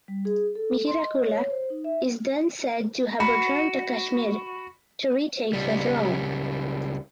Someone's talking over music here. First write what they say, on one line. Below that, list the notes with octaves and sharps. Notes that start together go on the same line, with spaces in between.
Mihirakula is then said to have returned to Kashmir to retake the throne.
G3
G#4
A4
C6
D#5
C#5
C5
D#4
E5
F#4 B5
C#2 G3